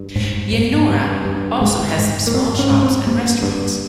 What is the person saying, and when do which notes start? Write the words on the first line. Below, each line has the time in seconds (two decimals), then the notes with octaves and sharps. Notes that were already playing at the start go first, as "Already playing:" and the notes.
Yennora also has some small shops and restaurants.
Already playing: G2
0.16 G#2
0.53 G#2
0.89 G2
1.25 G2
1.61 G#2 G#3
1.98 G#2
2.27 A#3
2.34 G#2 C4
2.59 C#4
2.71 G#2
2.83 C4
3.07 G2 A#3
3.43 G2